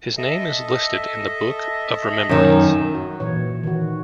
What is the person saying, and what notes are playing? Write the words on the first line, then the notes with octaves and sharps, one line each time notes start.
His name is listed in the Book of Remembrance.
A4 D#5 E5
F#2 D#3
F#4
A#2 E3 C#5
D#3 E3 F#4